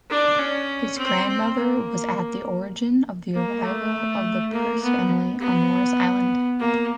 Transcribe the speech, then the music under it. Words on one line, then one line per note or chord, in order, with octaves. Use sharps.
His grandmother was at the origin of the arrival of the Pearce family on Morris Island.
D4
C#4
C4
C4
A#3
A#3
A3
A#3
B3
B3
A#3